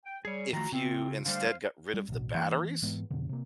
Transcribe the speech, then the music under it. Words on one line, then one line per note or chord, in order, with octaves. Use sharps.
if you instead got rid of the batteries,
G5
G3 G#4 C#5
D#3 F3 A3 F#4 A#5
C#3 C4 F4
D3 G3 A3 C5 F5
G3
A1 B2
E3 A#3
G#2 E3 G#3 B3
F2 B2 D3
C3 A#3